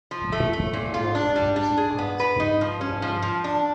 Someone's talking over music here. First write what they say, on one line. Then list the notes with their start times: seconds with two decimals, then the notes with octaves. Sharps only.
People who are in a music class playing the violin.
0.11 F3
0.32 A3
0.53 A3
0.73 A#2
0.94 F4
1.15 D4
1.36 G3
1.56 D4
1.77 G#4
1.98 B3
2.20 B4
2.40 D#4
2.61 F3
2.81 C#4
3.02 F3
3.22 F3
3.44 D4